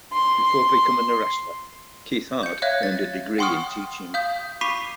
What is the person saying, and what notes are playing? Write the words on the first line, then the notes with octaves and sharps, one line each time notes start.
Before becoming a wrestler, Keith Hart earned a degree in teaching.
C6
G6 C#7
C#5 E5 F5 F#6 G#6
A6
F#5 G5 C6 C#6 D#6 F6
F5 D#6 G6
B5 C#6 D6 B6 C7 D#7